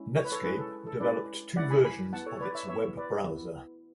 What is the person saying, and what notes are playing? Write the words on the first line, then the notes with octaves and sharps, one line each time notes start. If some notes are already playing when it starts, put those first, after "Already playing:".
Netscape developed two versions of its web browser.
Already playing: G#3 C#4 E4
C#5
B4
A4 C#5
G#3 C#4 E4 G#4 B4
A4
A4
G#3 C#4 E4 B4 D5
G#3 C#4 E4 D5 F#5
G#5 B5
G#5 B5
B3 E4 F#5 A5
A4 C#5
C#5
B4 D5
C#5 E5
B3 E4 C#5 E5
B4 D5
B3 E4